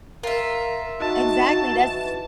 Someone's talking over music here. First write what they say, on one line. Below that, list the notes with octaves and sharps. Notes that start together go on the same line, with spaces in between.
Exactly, that's
F4 A#4 E5
D#4 F#4 A5
E3